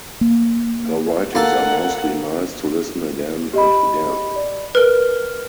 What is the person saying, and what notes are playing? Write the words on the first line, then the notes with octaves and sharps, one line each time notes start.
Her writings are mostly nice to listen again and again.
A#3
A#3 A4 F#5
G4 D#5 B5
D5
A#4 B4 F6